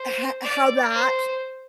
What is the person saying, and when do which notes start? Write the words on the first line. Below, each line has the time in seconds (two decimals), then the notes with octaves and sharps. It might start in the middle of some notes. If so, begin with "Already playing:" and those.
ho how that,
Already playing: C5
0.42 D5
0.94 C5